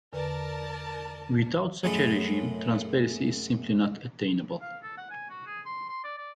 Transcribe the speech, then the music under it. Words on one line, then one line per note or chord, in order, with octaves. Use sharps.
Without such a regime, transparency is simply not attainable.
E2 D3 A#4 B4 D5 A5
F#2 A2 G#3 E4 C6
F5
A4
F#5
G#5
F#4
G#4
C6
C6
D5
D5